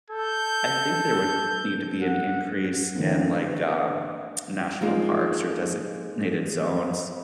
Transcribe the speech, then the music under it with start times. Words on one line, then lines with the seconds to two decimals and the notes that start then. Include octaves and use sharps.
I think there would need to be an increase in like, um, national parks or designated zones.
0.11 A4 G6
2.02 F#5
2.95 D3 E3 A3 A#3 C4
4.81 F3 G#3 A#3 D#4